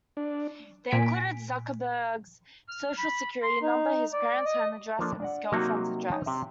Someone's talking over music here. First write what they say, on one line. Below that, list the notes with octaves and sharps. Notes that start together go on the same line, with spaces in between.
They included Zuckerberg's Social Security number, his parents' home address, and his girlfriend's address.
D4
A#2 G#5 B6 D7
F6
B5
C6
D#4
D5
D#5
F3 A#3 D4 A4
D4 D5 F#5
C3 F#3 A#3 D#4 F#4
D#4 C#5 D#5
C3 E5